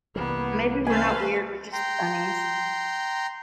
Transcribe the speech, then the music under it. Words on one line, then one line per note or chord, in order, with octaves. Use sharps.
Maybe we're not weird, we're just bunnies.
C2 E3 G3 A#3 B3
B4 C5 F5 G#5
G5 A#5 C6